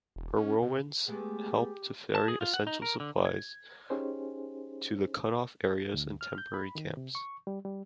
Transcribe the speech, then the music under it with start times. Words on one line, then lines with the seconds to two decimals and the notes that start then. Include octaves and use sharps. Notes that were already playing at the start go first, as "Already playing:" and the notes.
Her Whirlwinds helped to ferry essential supplies to the cut-off areas and temporary camps.
0.16 E1
0.36 C#4
0.62 C3
1.08 G#3 A3 B3 G4 G#4
2.15 A5
2.28 G#4
2.41 F4
2.54 F#5
2.67 D#4
2.82 A#4
3.00 D3
3.25 G#6
3.90 C#4 D#4 G4 G#4 C5
5.94 D2
6.21 F6
6.38 G6
6.54 B5
6.75 D#3
6.97 C3
7.15 C#6
7.47 G3
7.65 G3